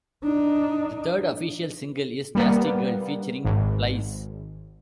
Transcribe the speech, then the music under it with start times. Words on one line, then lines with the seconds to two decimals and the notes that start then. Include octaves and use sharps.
The third official single is "Nasty Girl", featuring Plies.
0.24 D4 D#4
2.35 G3 A#3 B3
3.45 G#1